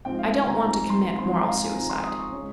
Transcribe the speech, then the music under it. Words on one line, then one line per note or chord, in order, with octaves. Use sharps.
I don't want to commit moral suicide.
G#2 F3 C4 G5
F5
G#5
A#5
G#2 F3 C4 A#5
C6
G#2 F3 C4 C6
A#5
F5
G#5
G#2 F3 C4 A#5
C6
D#6
C#6
C#3 G#3 C#4